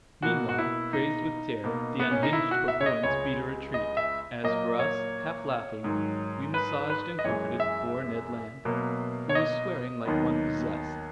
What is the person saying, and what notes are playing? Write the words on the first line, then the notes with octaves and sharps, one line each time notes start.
Meanwhile, crazed with terror, the unhinged Papuans beat a retreat. As for us, half laughing, we massaged and comforted poor Ned Land, who was swearing like one possessed.
B2 A#3 F#4
F#4
E4
D#4
B2 A#3
B3
C#4
D#4
E4
F#4
E5
C#5
D#5
C#2 C#3 G#3 C#5
D#5
E5
A#2 F#3 A#3 D#5
C#5
G#2 D#3 F#3
B4
B4
D#5
F#2 E3 G#3 C#5
E5
B2 F#3 A#3
C#5
D#5
D#2 D#3 F#3 B3